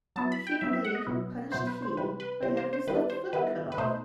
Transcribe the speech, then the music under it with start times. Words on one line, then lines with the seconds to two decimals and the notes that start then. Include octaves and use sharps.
King Li punished He by having his left foot cut off.
0.16 F#3 B3 E4 A5
0.32 B5
0.47 G5
0.61 F#3 B3 E4 E5
0.73 E5
0.85 F#5
0.95 D#5
1.07 B2 F#3 B3 E4
1.52 B2 F#3 B3 E4 C5
1.67 B4
1.82 C5
1.97 C3 E3 G3 B4
2.20 B4
2.42 C3 E3 G3 C5
2.57 C5
2.73 C5
2.87 D#3 G3 B3 E4 B4
3.10 C5
3.33 D#3 G3 B3 E4 B4
3.72 B4
3.78 B2 A3 D#4 C5